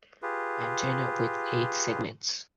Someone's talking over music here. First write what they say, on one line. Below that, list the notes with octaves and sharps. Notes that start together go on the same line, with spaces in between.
Antenna with eight segments.
F4 G4 G#4 B4